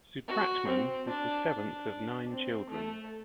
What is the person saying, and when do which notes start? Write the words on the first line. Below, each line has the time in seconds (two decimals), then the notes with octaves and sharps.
Supratman was the seventh of nine children.
0.28 F#4
0.68 C4
1.09 D4
1.48 D4
2.28 C4
2.70 A3